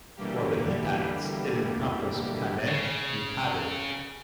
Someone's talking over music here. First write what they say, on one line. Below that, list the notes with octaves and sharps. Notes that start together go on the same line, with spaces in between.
For the Hittites, it encompassed Kanesh and Kadesh.
B2 D3 E3 G3 A#3 G4
C#3